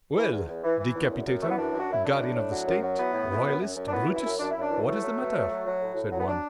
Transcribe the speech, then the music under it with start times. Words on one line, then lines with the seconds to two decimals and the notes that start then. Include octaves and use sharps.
"Well, Decapitator, Guardian of the State, Royalist, Brutus, what is the matter?" said one.
0.15 E3
0.31 E2
0.47 E2
0.63 E3
0.78 E3
0.94 E2
1.09 F#2
1.26 F#2
1.42 E3 A3
1.49 B3
1.57 F#2 D4
1.73 F#2
1.79 F#4
1.88 F#2 E4
2.03 F#3 D4
2.19 A2
2.34 A2
2.50 F#3
2.66 F#2
2.82 F#3
2.98 E3 B3
3.13 A2
3.30 A2
3.45 F#2
3.60 F#2
3.76 F#2
3.87 D4
3.92 E3 B3
4.07 F#2
4.15 E4
4.23 F#2
4.38 F#2 D4
4.50 F#2 E4
4.61 D4
4.70 E3
4.86 F#3 A3
5.02 F#3
5.17 B2
5.33 F#3
5.48 F#3
5.64 F#3
5.80 A2
5.95 A2
6.11 F#3
6.18 B3
6.26 F#3 D4